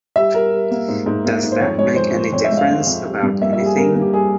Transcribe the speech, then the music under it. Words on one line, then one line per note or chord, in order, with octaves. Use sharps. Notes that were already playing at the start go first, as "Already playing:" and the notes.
Does that make any difference about anything?
G3 E5
G3 A#4
G3
A#3
G#2
G#2
A#3
G#2
C5
F2 C#5
G#3 C#5
F2 C5
F2
F2 C#5
E5
G#3
F5
G#3
F2
G3
G2
A#3 E5
E5
G3
G#4
G2 A#4
A#3
G4
G3 G#4